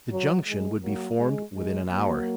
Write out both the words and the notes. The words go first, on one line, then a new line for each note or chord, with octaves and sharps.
The junction would be formed within an hour.
F#2 C#3 F#3
F#2 D#3 G#3
D#2 C#3 F#3 A#3
G#2 D#3 G#3
G#2 D#3 G#3
F#2 D#3 F#3 A#3